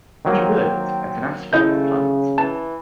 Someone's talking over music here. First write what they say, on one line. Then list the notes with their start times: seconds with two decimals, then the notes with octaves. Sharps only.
He worked at an asphalt plant.
0.25 D#3 F#3 A#3 C4
1.53 C#3 A3 E4 D#5 G6
2.38 E3 A5